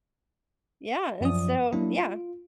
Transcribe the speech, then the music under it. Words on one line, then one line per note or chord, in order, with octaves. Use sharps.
Yeah, and so yeah.
F#2 F3 D5 D#6
F#3 A#3 D4 E4
F4